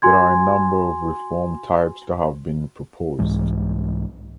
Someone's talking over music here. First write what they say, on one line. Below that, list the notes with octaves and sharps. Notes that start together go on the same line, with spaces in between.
There are a number of reform types that have been proposed.
F#4 G#5 C6 G#6
C2 G#2 E3 G#3